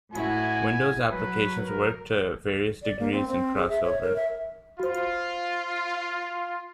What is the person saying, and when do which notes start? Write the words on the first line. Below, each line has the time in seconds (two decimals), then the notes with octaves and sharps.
Windows applications work to various degrees in CrossOver.
0.14 A2 E4 F#4 G#5
1.11 F#3 B4
1.64 A#4
2.83 D5
2.99 A#3
3.12 C4
3.28 C4
3.57 G#4
3.70 E5
3.85 C#5
4.03 A#4
4.16 E5
4.80 F4 F#4 C5